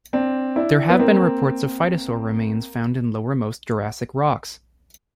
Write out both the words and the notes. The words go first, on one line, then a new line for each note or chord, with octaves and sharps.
There have been reports of phytosaur remains found in lowermost Jurassic rocks.
C4 D4
D4 E4
B3
A#3 C4